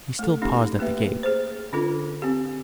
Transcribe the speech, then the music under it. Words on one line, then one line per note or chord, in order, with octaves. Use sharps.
He still paused at the gate.
A3 A4
A3 C#4 D#4 G4
A#3 G4 B4 E5
G#4 C5
D3 C#4 D4 F4 A4
C4 G4